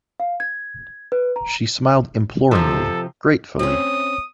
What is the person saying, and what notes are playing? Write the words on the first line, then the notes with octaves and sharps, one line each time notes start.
She smiled imploringly, gratefully.
F5
G#6
B4
A#5
C3 F3 A4
C4 C#4 D#6